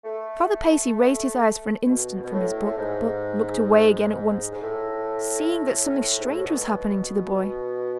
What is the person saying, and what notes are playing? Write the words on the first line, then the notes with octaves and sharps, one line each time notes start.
Father Paissy raised his eyes for an instant from his book, but looked away again at once, seeing that something strange was happening to the boy.
A3
B2
B2
A2
A2
G#2
G#2
A2
G#2
A2
B2